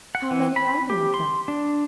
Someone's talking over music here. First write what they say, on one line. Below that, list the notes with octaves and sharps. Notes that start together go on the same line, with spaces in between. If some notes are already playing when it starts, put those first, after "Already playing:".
"How many are there of them?"
F#5
E3
B5
G4
C6
D4